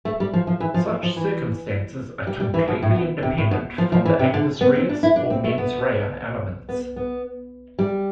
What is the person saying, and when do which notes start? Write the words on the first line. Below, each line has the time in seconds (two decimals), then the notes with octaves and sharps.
Such circumstances are completely independent from the "actus reus" or "mens rea" elements.
0.05 A3
0.20 G3
0.33 F3
0.47 F3
0.60 E3
0.74 F3
0.89 F3
1.03 F3
1.16 E3
2.27 G3
2.40 G3
2.54 E3
2.68 B2
2.82 A2
2.95 B2
3.23 C3
3.38 A2
3.51 B2
3.78 F3
3.92 F3
4.05 E3
4.19 C3
4.34 D3
4.61 B3
4.75 C4
4.89 D4
5.03 E4
5.16 D4
5.30 C4
5.44 A3
5.58 B3
6.69 B3
6.96 B3
7.79 G3